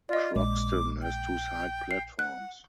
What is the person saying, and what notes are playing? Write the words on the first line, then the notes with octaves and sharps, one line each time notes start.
Croxton has two side platforms.
F4 D5 D#5
A#1 G#3 D6
G5
C7
F#5 F#6